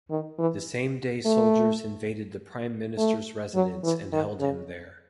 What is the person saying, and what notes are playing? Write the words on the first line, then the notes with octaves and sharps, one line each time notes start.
The same day soldiers invaded the Prime Minister's residence and held him there.
D#3
E3
A3
A3
F#3
E3
D#3
C#3